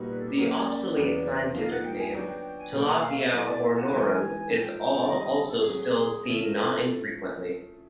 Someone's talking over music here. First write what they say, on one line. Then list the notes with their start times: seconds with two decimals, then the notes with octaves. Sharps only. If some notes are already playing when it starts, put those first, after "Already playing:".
The obsolete scientific name "Tilapia hornorum" is also still seen not infrequently.
Already playing: A#2 G3 B3 D#4 F#4
0.08 B4
0.18 A4
0.27 G4
0.36 C#3 F#3 A#3 C#4 F#4 B4
0.52 C#5
0.67 D5
0.96 E2 C#3 F#3 B3
1.25 D5
1.54 F3 A#3 D#4 F5
1.70 F#5
1.84 G5
1.98 G#5
2.14 F#3 B3 D4 F#4 G5
2.29 G5
2.43 G5
2.59 G#5
2.73 B2 F#3 A#3 G5
2.87 F#5
3.02 F5
3.18 E5
3.31 F#3 A3 C4 E4 D#5
3.46 D5
3.61 E5
3.76 F#5
3.91 E3 G#3 B3 D#4
3.98 G#5
4.05 G5
4.13 G#5
4.49 G#2 F3 A3 G5
4.64 G5
4.95 C#5
5.01 D5
5.08 D#3 G3 C4 D#5
5.23 D#5
5.48 A4
5.58 G#4
5.67 F#3 A3 C4
6.26 C#3 F3 A3 C#4 E4 A4
6.41 A#4
6.56 A4